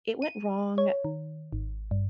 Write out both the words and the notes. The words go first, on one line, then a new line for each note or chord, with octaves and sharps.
it went wrong
D#7
C#5
D#3
G#1
G2